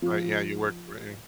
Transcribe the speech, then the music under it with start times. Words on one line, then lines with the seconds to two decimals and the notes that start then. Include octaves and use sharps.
Right, yeah, you work for him.
0.02 F3